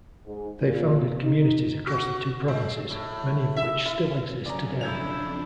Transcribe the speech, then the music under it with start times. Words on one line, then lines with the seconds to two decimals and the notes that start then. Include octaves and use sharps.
They founded communities across the two provinces, many of which still exist today.
0.25 G#2
0.62 A#2
1.23 D#4
1.87 F#4
2.48 G#3
2.91 A2
3.56 E5
3.86 E4
4.46 C#3 F#3 C#4 D5 A#5
4.81 F2 D4 E4 A4 G6 G#6 F7